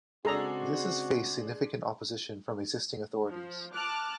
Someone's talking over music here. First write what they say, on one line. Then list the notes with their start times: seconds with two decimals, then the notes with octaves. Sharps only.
This has faced significant opposition from existing authorities.
0.25 C#3 G#3 C4 D4 F#4 G#4 A4 A#5
3.30 F3
3.73 A5 D6 F6 F#6